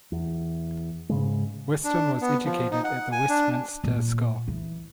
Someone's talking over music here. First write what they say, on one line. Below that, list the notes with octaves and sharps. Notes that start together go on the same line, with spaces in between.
Weston was educated at the Westminster School.
E2
G#2 C#3 G#3
D4
B3
F3
D#4
F#5
G#5
D4
A#2
E3